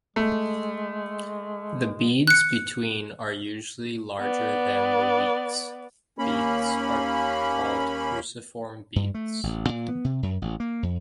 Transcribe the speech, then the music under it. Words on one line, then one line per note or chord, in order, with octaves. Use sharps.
The beads between are usually larger than the "weeks" beads are called "cruciform" beads.
G#3 A3
F#6 C#7
B3 D5
D#2 A#3 C#4 B5
G2
A3
A1
A#2
B3
C3
F#2
A1
A#3
F2